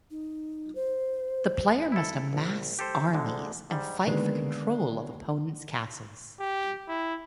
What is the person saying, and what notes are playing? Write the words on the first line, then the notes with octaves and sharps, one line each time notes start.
The player must amass armies and fight for control of opponents' castles.
D#4
C5
E4 A4
A#1
G4 A4 C5
D2 G#2 D3 G#3
G#2 G3
D3 D#3 G#3 A#3 B3
G4
E4